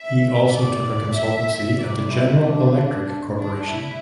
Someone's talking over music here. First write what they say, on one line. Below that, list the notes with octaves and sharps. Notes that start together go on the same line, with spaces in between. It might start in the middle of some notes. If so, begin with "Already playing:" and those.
He also took a consultancy at the General Electric Corporation.
Already playing: E5
D5
E5
C3 G3 D5
E4
D4
D4
D4
E4